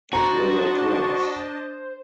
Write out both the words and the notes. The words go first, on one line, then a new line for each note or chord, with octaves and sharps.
River Course!
D4 F#4 C5 D#5 A5 A#5